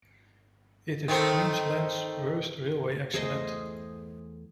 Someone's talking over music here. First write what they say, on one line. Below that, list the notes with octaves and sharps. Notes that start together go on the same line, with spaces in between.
It is Queensland's worst railway accident.
D#3 A3 C4
E2 A3 G#4 C5 D#5